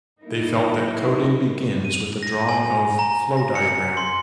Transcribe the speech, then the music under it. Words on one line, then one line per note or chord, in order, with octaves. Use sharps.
They felt that coding begins with the drawing of flow diagram.
F#3 A#3 D#4 E4 A#4
D#7
A#6
G#5
A#5
A#6
C#7
C6